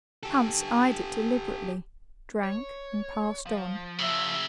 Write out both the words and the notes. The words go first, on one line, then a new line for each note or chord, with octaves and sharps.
Hans eyed it deliberately, drank, and passed on.
G4 A4
C#5
F3
C#3 F#3 E5